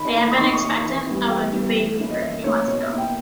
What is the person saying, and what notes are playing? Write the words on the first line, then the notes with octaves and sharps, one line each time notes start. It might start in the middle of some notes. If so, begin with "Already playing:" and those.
They have been expectant of a new baby for a few months now.
Already playing: D#3 B5
A#3 E4
D#6
D#3 C#6
C#6
A#3 E4
C#6
E3
G3 B3 E4
E3 G5
G3 B3 E4
E3
A#3 C#4 E4
D#5
E3 E5
A#3 C#4 E4 C#5
B2 C#5
E5
A#3 E4
G5